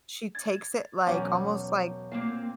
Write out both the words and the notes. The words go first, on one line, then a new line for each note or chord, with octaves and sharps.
She takes it, like, almost like
G#6 A6
E1 E2 F#3 C#4 C#5 F#5 D6
A#2 A#3 C4 F5